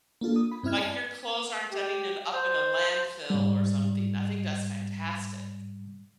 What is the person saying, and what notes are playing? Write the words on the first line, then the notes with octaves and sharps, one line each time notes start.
Like, your clothes aren't ending in up in a landfill, or something. I think that's fantastic.
A#3 D4 F4 A4
D#6
B5
G2 C4 E4 E5 F6 G#6
D5 G#5 A5
G4
C5
G#2 G3